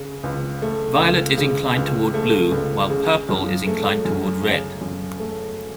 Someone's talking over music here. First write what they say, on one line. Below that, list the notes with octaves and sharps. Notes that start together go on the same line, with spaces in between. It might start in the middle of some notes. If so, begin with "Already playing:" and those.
Violet is inclined toward blue, while purple is inclined toward red.
Already playing: C#3
C#2
A3
C#2
C#3
C#2
A3
C#2
C#3
F#2
A3
F#2
C#3
F#2
A3